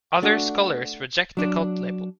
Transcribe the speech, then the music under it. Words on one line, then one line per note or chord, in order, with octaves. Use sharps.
Other scholars reject the cult label.
A3 D4 F#4
F#3 D4